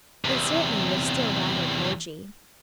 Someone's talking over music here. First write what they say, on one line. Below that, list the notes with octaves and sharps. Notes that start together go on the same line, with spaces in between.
It certainly was still rather bulgy.
E2 C3